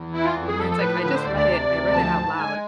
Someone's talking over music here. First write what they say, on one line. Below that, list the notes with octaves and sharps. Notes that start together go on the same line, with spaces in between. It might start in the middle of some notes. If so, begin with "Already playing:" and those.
where it's like, I just read it, I read it out loud,
Already playing: E2
E3 E4
F4
F2
G#4
F3 A4
A4
A2 B4
D3 B4
C5
D2 D5
D5
C3
D2
F3 A5
G#2
G#3 G#5